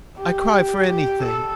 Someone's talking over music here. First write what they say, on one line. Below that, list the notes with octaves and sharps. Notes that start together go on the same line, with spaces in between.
I cry for anything.
G4
G4
A4